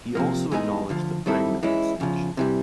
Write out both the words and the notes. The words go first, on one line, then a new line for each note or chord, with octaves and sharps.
He also acknowledged the Pragmatic Sanction.
C3 F3 A#3
E3 G#3 B3 D#4 G#4
D2 D3 F3
D#3 G3 C4 E4 A4
E3 G#3 C#4 E4
E2 C#3 F3
C3 E3 G3